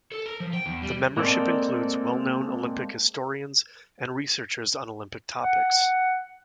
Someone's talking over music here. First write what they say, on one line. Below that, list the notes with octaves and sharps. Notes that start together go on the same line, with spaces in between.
The membership includes well-known Olympic historians and researchers on Olympic topics.
A4
A#4
F3
G5
E2
G3
G#3 A#3 C4 A4 D5
F#5